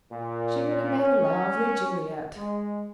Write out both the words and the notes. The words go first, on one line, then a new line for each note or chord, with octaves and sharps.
She would have made a lovely Juliet.
A#2
C#4
G#3